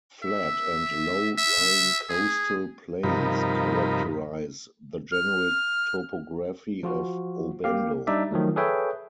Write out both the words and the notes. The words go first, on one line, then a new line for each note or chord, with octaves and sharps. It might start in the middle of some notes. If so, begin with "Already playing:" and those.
Flat and low-lying coastal plains characterize the general topography of Obando.
E5
E5
G#4
G2 C3 F3 D#4 A#4 B5
F6
F3 F4 F#4
A#3 G4 F5
G3 D4 D#4 D5 E5
D#3 F3 F#3 A3
G#4 A4 B4 C#5 E5 G5